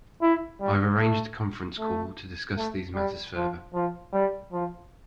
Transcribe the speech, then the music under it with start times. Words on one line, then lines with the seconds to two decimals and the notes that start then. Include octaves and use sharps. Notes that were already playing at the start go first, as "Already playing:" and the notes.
I have arranged a conference call to discuss these matters further.
0.22 E4
0.61 G3
1.00 A3
1.79 A3
2.57 A3
2.95 G3
3.36 F3
3.74 F3
4.13 G3
4.52 F3